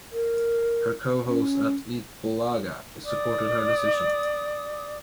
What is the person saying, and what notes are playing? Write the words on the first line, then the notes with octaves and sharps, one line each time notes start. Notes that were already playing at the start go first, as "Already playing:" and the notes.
Her co-hosts at "Eat Bulaga" supported her decision.
A#4
C#4
D5 D6 D#6